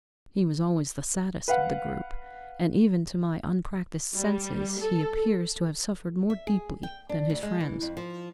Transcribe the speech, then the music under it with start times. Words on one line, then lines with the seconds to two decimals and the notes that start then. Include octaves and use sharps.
He was always the saddest of the group, and even to my unpractised senses, he appeared to have suffered more deeply than his friends.
1.48 B4 F5 F#5
4.15 G3
4.80 A4
6.30 E5
6.47 G#4
6.83 G5
7.09 D4
7.30 D2
7.43 G#3
7.60 E3
7.82 F2
7.97 F3